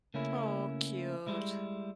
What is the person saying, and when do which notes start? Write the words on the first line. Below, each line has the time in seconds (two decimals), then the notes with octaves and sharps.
Oh, cute,
0.14 C#3 A3 A#3 C#4 E4
1.27 G3 G#3 E4